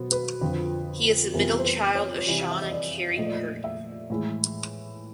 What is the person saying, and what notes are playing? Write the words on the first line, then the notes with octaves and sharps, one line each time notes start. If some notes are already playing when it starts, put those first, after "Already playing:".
He is the middle child of Shawn and Carrie Purdy.
Already playing: B2 F#3 B3 C5
B4
F2 D3 F3
F2 C3 E3 G3 B3 A#4
C5
B4
C#5
C#5
C3 E3 G3 D5
F5
E5
D#5
D5
A#2 F3 A3 D#5
D5
D#5
E5
A2 E3 G#3